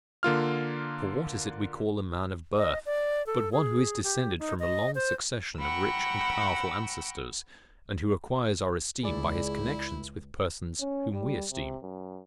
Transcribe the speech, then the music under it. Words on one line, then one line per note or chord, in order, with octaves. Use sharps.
For what is it we call a man of birth, but one who is descended from a long succession of rich and powerful ancestors, and who acquires our esteem by his connexion with persons whom we esteem?
D3 A#3 F4 F6
D#5
D5
A4
G#4
G4
D#4
D#5
C5
F#5 G5 A#5 B5 C#6 E6
C#2 E4 G#4 D5
C#4
G3
C3
F#2